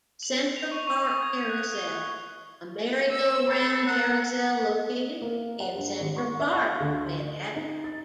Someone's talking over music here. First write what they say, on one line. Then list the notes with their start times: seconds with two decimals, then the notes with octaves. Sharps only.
Central Park Carousel: A merry-go-round carousel located in Central Park, Manhattan.
0.23 F#7
0.56 F7
0.71 C#6
0.87 C#6
1.03 D#6
1.22 G#6
1.49 F#6
1.75 G7
1.91 F#6
3.11 E6
3.49 A4 B5
3.87 A#4 F#5
5.22 A#3
5.60 F#5
5.76 G2
6.00 G#1
6.16 C#6
6.40 E5
6.57 F5
6.80 D2
7.20 D#5
7.56 D#4
7.84 A6